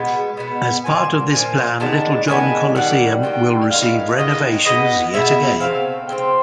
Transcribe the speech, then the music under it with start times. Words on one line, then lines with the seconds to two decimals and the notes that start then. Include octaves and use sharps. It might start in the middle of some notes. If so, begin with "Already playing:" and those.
As a part of this plan, Littlejohn Coliseum will receive renovations yet again.
Already playing: B2 G#3 B3
0.37 B2 G#3 B3
0.85 A#2 F3 A#3 D4 G#5
1.33 A#2 F3 A#3 D4 G#5
1.80 D#3 G#3 B3 D4 A5
2.28 D#3 G#3 B3 D4 G#5
2.75 D#3 G3 A#3 F#5
3.23 D#3 G3 A#3 G5
3.71 D#3 G#3 B3 F5
4.18 D#3 G#3 B3 D#5
4.66 B2 G#3 B3 D#5
5.13 B2 G#3 B3 E5
5.60 C#3 F3 A3 C4 F5
6.08 C#3 F3 A3 C4 G5